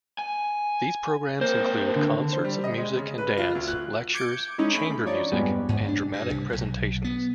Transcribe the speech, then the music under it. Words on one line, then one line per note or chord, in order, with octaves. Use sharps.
These programs include concerts of music and dance, lectures, chamber music, and dramatic presentations.
G#5
A#3 C4 C5
D3
C5
G3
D#5
G#3
C#3
B4
F4
D2
F#6
D6 G6 G#6 C#7 D7
G#3 C#4 D#4 E4
A3 C#4 B5
F3 D4 D#4 C#5 D5
F2 G#2 G3 G#3 B3 C#4
G#2
D4
G2
C2
B1
B3